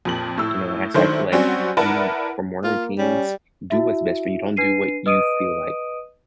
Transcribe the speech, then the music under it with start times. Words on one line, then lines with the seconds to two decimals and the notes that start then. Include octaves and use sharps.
You know? And so I feel like, you for morning routines, do what's best for you. Don't do what you feel like
0.05 F2 A#2 F#7
0.38 A2 E6
0.94 D#3 F#3 A3 D4 E4 C5
1.32 F#3 G3 C4 C#4 F#4
1.77 E4 A#4 B4 D5 F#5 A5
2.64 A#3 F4
2.99 G3 C#4
3.70 E4 F#4 E5
4.57 D4 B4 C7 D#7
5.06 B4 D#5 D#6 D7 D#7